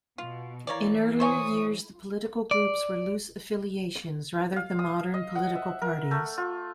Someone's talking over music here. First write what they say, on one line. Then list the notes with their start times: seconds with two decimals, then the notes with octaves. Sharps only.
In earlier years, the political groups were loose affiliations rather than modern political parties.
0.18 B2 F4
0.67 E3 A#3 C#5 D5
1.20 C5 C#5 G#5 C#6 D#6
2.51 D5
4.56 F5
4.79 D#6
5.14 D#5
5.35 F#5
5.55 E5
5.82 A#4
6.11 A3
6.38 F4